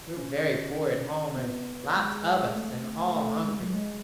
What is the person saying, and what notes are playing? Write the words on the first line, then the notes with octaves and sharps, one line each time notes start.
We're very poor at home, and lots of us, and all hungry.
C#4
C#4
B3
G#3
A3
A3
G#3
F#3
G#3